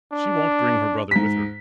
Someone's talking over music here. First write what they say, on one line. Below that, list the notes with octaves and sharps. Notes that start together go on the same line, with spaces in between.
"She won't bring her brother with her."
D4
G#2 B6